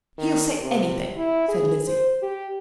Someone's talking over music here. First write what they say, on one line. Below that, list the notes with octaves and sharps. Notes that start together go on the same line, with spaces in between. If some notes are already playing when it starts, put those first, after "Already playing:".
"He'll say anything," said Lizzie.
D#3
C3
E4
G#4
C5
G4